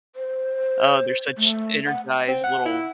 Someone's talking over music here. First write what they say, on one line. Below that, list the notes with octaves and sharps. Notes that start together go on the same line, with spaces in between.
Oh, they're such energized little
C5
A3
F#5
C4
F#5
E4